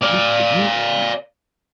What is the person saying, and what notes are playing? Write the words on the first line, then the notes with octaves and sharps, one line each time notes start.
you if you, you know,
D5 F5